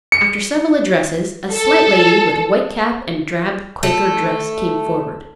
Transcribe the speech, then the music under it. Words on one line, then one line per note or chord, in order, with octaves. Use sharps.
After several addresses, a slight lady, with white cap and drab Quaker dress, came forward.
C#7
A4
A3